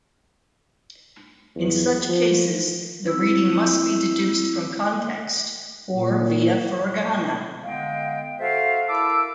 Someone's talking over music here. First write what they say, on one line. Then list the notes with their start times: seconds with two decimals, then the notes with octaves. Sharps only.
In such cases the reading must be deduced from context or via furigana.
1.55 E2
2.09 F3
3.08 C4 E4 E6
5.95 A#2
7.64 D3 G#3 B3 D#5 F5 G5
8.39 F#4 A4 C5 E5 F5
8.88 E4 A#4 A5 D6 E6